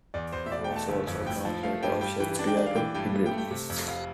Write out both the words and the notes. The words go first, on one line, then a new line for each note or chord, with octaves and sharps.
He was also translator of Shakespeare to Hebrew.
E2 D5
E2 C5
E5
E1 D5
G5
A3
A5
G1
F2
A2 G5
F3
A3 F5
G2 G5
G3 G5
E3 G5
D4
G5
D4 D5
F5
E3 G5
G2 G5
G2
G5
A3
G5
C3
F2
F1 F5